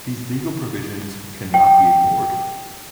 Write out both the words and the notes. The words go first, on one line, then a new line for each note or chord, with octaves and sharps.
These legal provisions can not be ignored.
G5